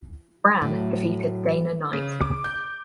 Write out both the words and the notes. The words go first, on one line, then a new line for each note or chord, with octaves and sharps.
Brann defeated Dana Knight.
A2 F#3 A3
F#3
E3
C#3
D6
G6